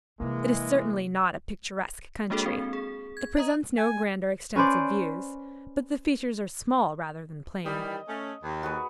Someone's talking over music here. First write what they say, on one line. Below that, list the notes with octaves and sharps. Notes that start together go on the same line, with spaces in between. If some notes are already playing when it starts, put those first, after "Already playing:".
It is certainly not a picturesque country; it presents no grand or extensive views; but the features are small rather than plain.
C3 E3 G3 G#3 A#3
G#3 A#3 D4 F#4 G#4 A4
C4
G#4
G#6
D#5 A#5 D#6
G#5
C#4 B4 C5 D5
D#3 E3 G3 D#5
A3 C#4
D#2
F#4 G#4 B4